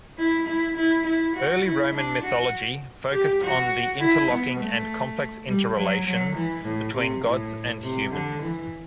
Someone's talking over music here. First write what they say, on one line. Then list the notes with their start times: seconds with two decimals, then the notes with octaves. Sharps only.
Early Roman Mythology focused on the interlocking and complex interrelations between gods and humans.
0.18 E4
0.47 E4
0.77 E4
1.06 E4
1.36 F#4
1.66 E4
1.94 D4
2.23 F#4
3.12 G4
3.41 F#4
4.00 E4
4.30 B3
4.58 A3
5.47 G3
5.76 F#3
6.06 F#3
6.35 E3
6.65 A2
6.94 C3
7.23 A2
7.82 C3
8.11 D3
8.41 E3